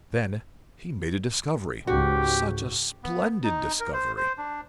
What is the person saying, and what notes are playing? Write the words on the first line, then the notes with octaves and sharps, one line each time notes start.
And then he made a discovery--such a splendid discovery!
C#2 G#2 F#4 G4
B3
D#4
A#4
C5
C5
D4